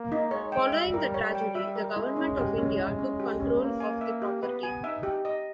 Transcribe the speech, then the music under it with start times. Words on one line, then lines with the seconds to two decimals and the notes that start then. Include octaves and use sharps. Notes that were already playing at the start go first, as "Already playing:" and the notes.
Following the tragedy, the Government of India took control of the property.
Already playing: A#3
0.12 D#4
0.31 G#3 C#5
0.52 G5
0.72 G3 E5
0.94 A#4
1.14 C#5
1.35 G5
1.55 E5
1.76 A#4
1.96 G#3 E4
2.17 C#4
2.37 G4
2.58 C#4
2.78 E4
2.99 C#4
3.20 G4
3.40 C#4
3.60 A#3 B4
3.80 G#5
4.01 E5
4.22 G4
4.42 B3 B4
4.63 G#5
4.84 D#4 E5
5.03 G4
5.25 D#5